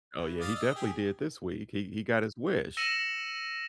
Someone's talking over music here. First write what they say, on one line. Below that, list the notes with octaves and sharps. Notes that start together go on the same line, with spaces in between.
Oh, yeah, he definitely did this week. He he got his wish.
E3
D5 F5 D#6
D#5 E6
G4 G#4
E6 A#6 C#7 D#7 E7 F#7